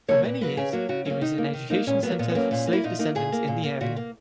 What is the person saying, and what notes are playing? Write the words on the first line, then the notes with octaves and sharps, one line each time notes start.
For many years, it was an education center for slave descendants in the area.
F#3 A#3 C#5
A#2 B4
F#3 A#3 B4
C#3 G#4
F#3 A#3 F#4
C#3 F#4
F#3 A#3 C#4
D#3 D#4
A#3
D#3
A#3 D#4
A#2 C#4
F#3 A#3 B3
A#2 B3
B3
F#3 A#3 C#4
A#2
A#3
E4
A#2 D#4
A#3 D#4
A#2 G#4
A#3
A#2
A#3
A#2 F#4
A#3